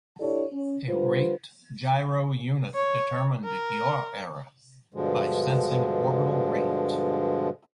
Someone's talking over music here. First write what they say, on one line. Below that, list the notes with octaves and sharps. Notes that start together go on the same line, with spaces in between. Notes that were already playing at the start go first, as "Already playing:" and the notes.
A rate gyro unit determined yaw error by sensing orbital rate.
D4 E4 G4 A4 C#5 D5
C#4
D3 G3 F4 B4 C5
C#5
A#4
G2 B2 D3 F3 G#3